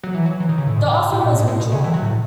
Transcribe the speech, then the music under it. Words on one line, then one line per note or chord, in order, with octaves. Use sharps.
The offer was withdrawn.
F#3
E3
F#3
E3
D#3
C#3
A2
G#2
A2
B2
A2
G#2
A2
B2
C#3
E3
F#3
A2